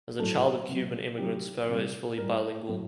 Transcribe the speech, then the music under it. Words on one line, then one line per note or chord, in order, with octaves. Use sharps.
As the child of Cuban immigrants, Ferrer is fully bilingual.
A2 F#3 A4
C3 F#3
C3 D#3 F#3 G4
C3 G3
A2 G3 A#4
A2 F#3